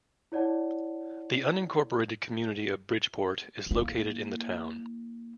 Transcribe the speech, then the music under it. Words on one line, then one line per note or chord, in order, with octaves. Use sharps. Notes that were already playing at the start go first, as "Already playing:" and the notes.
The unincorporated community of Bridgeport is located in the town.
E4 C#5 D5 F#5 A5
A#3 E4